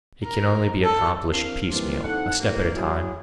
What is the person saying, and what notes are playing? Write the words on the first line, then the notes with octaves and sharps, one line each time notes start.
It can only be accomplished piecemeal, a step at a time.
A#4
A4
C4 D4 E4 A#4 F5
E3 G3 A#3 C4 D4 F4
F2 D#4 E4 A4 F#5
A1 A#3
F#3 E4 G#4